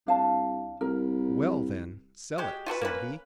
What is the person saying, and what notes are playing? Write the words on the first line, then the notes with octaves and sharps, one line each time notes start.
"Well then, sell it," said he.
C2 D4 F5 A5
C2 A#4
G#3 F#4 G4
F4 F#4 A4 B4
A#3 C#4 B4